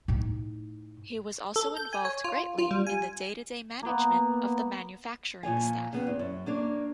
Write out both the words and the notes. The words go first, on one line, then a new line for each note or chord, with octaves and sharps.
He was also involved greatly in the day-to-day management of the manufacturing staff.
A2 D#4
A4
G6
G#5
C#5
F4
F4
G3
G#5
A#3 B3
A#2 F3 C#5 G#5
C#3 B3 C4
E2
F#2
A#3 D4 C#5